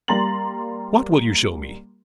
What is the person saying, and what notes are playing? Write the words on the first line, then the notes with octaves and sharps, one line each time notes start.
What will you show me?'
G3 A#3 A#5 C6 A6 F#7